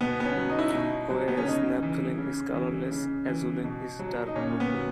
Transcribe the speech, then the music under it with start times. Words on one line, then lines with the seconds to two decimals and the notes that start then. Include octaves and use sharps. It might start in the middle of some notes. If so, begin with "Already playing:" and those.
Whereas naphthalene is colourless, azulene is dark blue.
0.01 B2 B3
0.20 B3
0.25 C#4
0.36 F#3
0.49 D#4
0.59 E4
0.69 B2 D#4
1.10 F#3
1.28 B3
1.37 C#4
1.46 C#3 D#4
1.83 E3
2.18 C#3
2.54 E3
2.91 C#3
3.28 E3
3.64 B2
3.99 F#3
4.27 D#4
4.35 A#2 C#4
4.60 B3
4.73 F#3